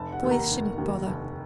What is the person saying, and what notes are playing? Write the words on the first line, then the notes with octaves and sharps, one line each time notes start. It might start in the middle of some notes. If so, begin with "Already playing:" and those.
Boys shouldn't bother.'
Already playing: F1 A5
F#5
D#2 D#3 A#3
A#5
F1
D#2 D#3 A#3
F1